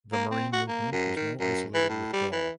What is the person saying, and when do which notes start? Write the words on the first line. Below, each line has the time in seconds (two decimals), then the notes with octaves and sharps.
The Marine movement was no isolated withdrawal.
0.12 A#3
0.31 C4
0.53 F#4
0.68 A#3
0.92 F#2
1.16 D#3
1.40 F#2
1.74 E3
1.90 A2
2.13 G3
2.32 E3